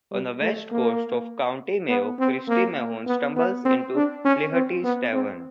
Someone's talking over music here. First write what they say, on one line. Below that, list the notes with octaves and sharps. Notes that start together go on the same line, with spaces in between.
On the west coast of County Mayo Christy Mahon stumbles into Flaherty's tavern.
G3
A3
A#3
B3
C4
A#3
B3
B3
C4
D4
C#4
C4
B3
C4